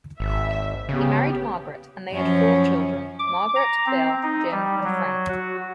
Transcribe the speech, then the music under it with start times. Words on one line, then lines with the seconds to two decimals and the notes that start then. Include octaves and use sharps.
He married Margaret and they had four children Margaret, Bill, Jim and Frank.
0.20 G#1 E5
0.89 C#3 B3 G4
2.11 F#2 F3 C#4
3.19 D6
3.56 A#5
3.86 C4
4.23 D#4
4.51 G3
4.84 F#3
5.28 F#4